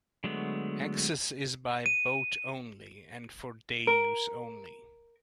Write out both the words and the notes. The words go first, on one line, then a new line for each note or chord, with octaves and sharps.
Access is by boat only and for day–use only.
D3 F#3 G#3 A3 B3
D#7
A#4